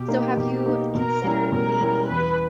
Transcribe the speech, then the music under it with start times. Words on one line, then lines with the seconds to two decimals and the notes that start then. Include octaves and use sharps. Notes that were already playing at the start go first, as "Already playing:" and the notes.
so, have you considered, maybe,
Already playing: B2 G4
0.08 A#3 D#4
0.37 B2
0.66 A#3 D#4
0.94 B2 A#4
1.24 G3 C#4 E4
1.52 B2 A#4
1.81 G3 C#4 E4
2.09 E2 B4